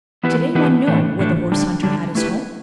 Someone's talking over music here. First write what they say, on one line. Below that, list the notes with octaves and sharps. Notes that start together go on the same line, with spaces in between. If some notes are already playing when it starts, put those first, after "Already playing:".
Did any one know where the horse-hunter had his home?
E3 B3 E4 G4 B4
E3 B3 E4 G4 B4
A2 E3 A3 D4
A2 E3 A3 D4
D3 G3 D4
D3 G3 D4
A3 E4 G4 B4